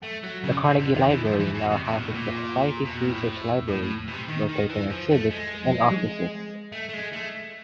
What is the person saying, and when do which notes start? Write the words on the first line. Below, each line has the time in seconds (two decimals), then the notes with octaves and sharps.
The Carnegie Library now houses the Society's research library, rotating exhibits, and offices.
0.04 A3
0.24 F#3
0.44 C#3
0.64 C3
0.79 D3
0.94 D#3
1.10 E3
1.25 F3
1.40 E3
1.55 B2
1.71 C3
1.86 B2
1.95 A#2
2.05 A2
2.14 A#2
2.85 B2
2.97 A#2
3.07 A2
3.68 A2
3.83 A2
4.09 B2
4.14 C3
4.29 D#3
4.49 D#3
4.70 E3
4.90 F3
5.11 A3
5.31 G#3
6.72 A3
6.89 A3
6.94 G#3
7.13 A3